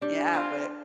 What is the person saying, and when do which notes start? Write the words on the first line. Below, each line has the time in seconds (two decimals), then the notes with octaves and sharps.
Yeah, but
0.02 G3 D4
0.33 C4 F4